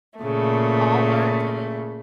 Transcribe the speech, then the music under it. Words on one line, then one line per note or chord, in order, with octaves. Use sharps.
all learn to,
A#2 C#3 A3